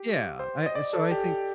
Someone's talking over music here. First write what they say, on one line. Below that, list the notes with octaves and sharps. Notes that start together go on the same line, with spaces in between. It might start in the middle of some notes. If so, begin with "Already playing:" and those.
Yeah. I so I think
Already playing: G4
C5
D#5
D5
A4
G4